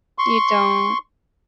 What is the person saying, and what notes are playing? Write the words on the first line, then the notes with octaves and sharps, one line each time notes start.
You don't.
C6 C#6